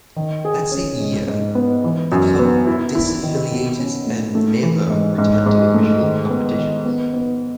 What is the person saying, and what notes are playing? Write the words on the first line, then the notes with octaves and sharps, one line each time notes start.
That same year the club disaffiliated and never returned to official competitions.
D#3
G#4
C#4
G#2
G#2
B3
E3
F#2
B3
E4
E4
D#3
B2
C#4
A3
A3
E3
G#2
G#2
G#2
A3
D#3
B3
D#3
B3
B3